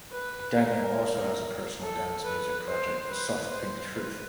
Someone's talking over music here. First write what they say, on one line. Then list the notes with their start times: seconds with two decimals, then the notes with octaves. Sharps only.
Daniel also has a personal dance music project, The Soft Pink Truth.
0.13 B4
0.55 A#4
1.82 A4
2.25 B4
2.67 C5
3.09 B4
3.52 C5
3.94 B4